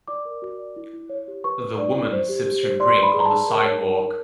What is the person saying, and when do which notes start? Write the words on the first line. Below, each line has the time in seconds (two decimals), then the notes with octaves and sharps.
The woman sips her drink on the sidewalk.
0.08 D5 D6
0.25 A#4
0.42 F#4
0.59 D5
0.76 E4
0.93 E4
1.09 C#5
1.28 G4
1.44 B4 C#6
1.61 B4
1.78 D5
1.95 E4
2.13 C5
2.29 G4
2.46 G4
2.63 C5
2.80 D5 C6
2.97 B4
3.03 B5
3.14 G#4
3.20 A#5
3.26 G#4 A5
3.49 A#4
3.65 C#5
3.82 A#4
4.00 D#4